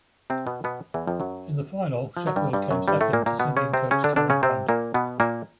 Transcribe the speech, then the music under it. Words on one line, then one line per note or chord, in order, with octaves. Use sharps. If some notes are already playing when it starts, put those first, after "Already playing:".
In the final, Sheffield came second to singing coach Carrie Grant.
C3 C4
B2 B3
B2 B3
E2 E3
F2 F3
F#2 F#3
F3
F#3
G2 G3
G2 G3
F#2 F#3
G2 G3
A2 A3
A#2 A#3
A#2 A#3
B2 B3
C#3 C#4
C3 C4
C#3 C#4
D3 D4
D3 D4
C#3 C#4
C3 C4
A#2 A#3
B2 B3
A#2 A#3